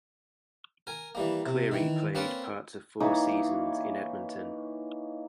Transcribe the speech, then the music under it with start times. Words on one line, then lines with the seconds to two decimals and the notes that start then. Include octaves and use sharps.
Cleary played parts of four seasons in Edmonton.
0.87 A#4 G#5
1.15 E3 G3 A#3
1.46 C3
1.72 D#3 E3
2.15 A#3 C4 C#4 A#4 B4 A5
3.00 E3 A#3 D#4 C#5